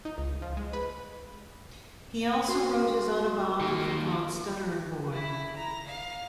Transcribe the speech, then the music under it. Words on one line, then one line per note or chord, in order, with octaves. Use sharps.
He also wrote his autobiography called "Stutterin' Boy".
D#4
C#2
F3
G#3
B4
F#4 C6
D#3 A#3
E4
A#5
F5